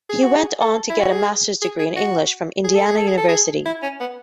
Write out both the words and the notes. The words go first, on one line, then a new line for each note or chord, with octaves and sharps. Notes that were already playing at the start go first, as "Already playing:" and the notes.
He went on to get a master's degree in English from Indiana University.
G#4
F#4
G#4
A4
E4
F#4
G#4
G#4
G#4
F#4
G#4
A4
G#4
A4
G#4
A4
G#4
E4
C#4
B3